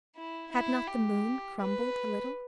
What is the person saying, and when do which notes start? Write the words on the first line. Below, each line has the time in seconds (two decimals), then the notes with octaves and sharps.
Had not the moon crumbled a little?
0.16 E4
0.52 E4
0.87 G4
1.60 B4